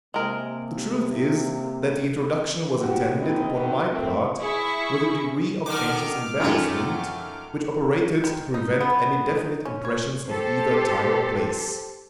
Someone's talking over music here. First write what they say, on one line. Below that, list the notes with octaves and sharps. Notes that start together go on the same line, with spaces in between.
The truth is--that the introduction was attended, upon my part, with a degree of anxious embarrassment which operated to prevent any definite impressions of either time or place.
C3 G#3 A#3 A#4
D#3 F3 F#4 G4
D2 A#3 C4 D#4 E4 D#5
F#2 A#2 D#3 F#4 G4
A3 C4 A#4
E4 G#4 C#6
D3 D#3 D6 F6
F#2 D#3 F#3 A3 F4
D#3
D#4
B3
D#4
C#4
C#5
G4 A4 C5